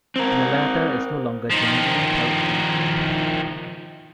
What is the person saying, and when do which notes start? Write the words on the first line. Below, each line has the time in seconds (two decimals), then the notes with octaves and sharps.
The latter is no longer generally held to be true.
0.16 C4 A#4
1.50 D#3 F3